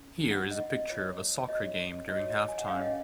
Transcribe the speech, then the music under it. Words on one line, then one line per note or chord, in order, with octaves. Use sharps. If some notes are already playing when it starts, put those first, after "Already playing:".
Here is a picture of a soccer game during halftime.
Already playing: C#4
F4 C5 F#5
D#5
D#5
F4 C5 C#5
F#4 C#5 D#5
F#4 C#5 D#5
C#5
D#5
G#5
F#5
C#4 G#4 C#5 F5
D#5